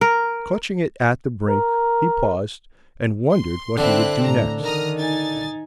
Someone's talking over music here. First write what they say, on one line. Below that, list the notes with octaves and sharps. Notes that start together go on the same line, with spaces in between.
Clutching it at the brink, he paused, and wondered what he would do next.
A#4
A#4
C6
D3 C4 E4 F#6
A2 A#5
D#3 A#5 D#6 F6
D#4 G#5 A6